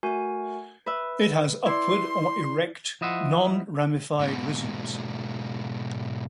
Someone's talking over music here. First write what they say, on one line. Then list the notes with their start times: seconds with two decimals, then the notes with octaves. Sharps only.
It has upward or erect, non-ramified rhizomes.
0.03 A3 F#4 A#4 G#5
0.86 B4 E5
1.66 E4 D5 C6
3.01 F3 E4 D#5 E5 F#5 C6
4.19 G#2 B2